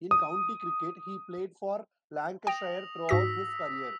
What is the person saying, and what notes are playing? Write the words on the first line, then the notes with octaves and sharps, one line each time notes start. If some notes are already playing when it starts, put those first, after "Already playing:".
In county cricket, he played for Lancashire throughout his career.
D#6
G5 D#6 A#6 F7
G#2 F#4 E6 A#6 B6